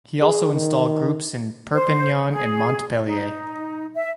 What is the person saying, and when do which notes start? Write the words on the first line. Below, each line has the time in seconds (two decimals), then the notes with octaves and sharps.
He also installed groups in Perpignan and Montpellier.
0.21 G#4
0.53 D#3
1.73 C5
2.31 G#4
3.06 D#4
3.94 E5